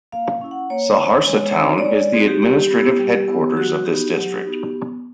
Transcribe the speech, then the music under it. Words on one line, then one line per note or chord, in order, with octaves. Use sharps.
Saharsa town is the administrative headquarters of this district.
A#3 F5
C#4 E4
F#5
A#3 C#5
C#4 E4
G#3
C4 D#4 F#4
D5
G#3 C#5
D5
C4 D#4 F#4 G#4
G4
G3 G4
B3 E4
G3
B3 E4
F#3 F#4
B3 D#4 F#4 G4
F#3
B3 D#4 F#4
B3